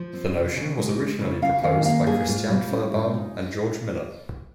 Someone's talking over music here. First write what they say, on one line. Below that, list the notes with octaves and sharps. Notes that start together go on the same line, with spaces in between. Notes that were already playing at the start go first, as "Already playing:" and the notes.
The notion was originally proposed by Christiane Fellbaum and George Miller.
Already playing: F3
C4
C3
C#3
G#3
C#4
C#3
C#4 F5
D#3 F5
A#3 F5
G2 G#4
G#2 F4
G3
C#4
G#2
D#4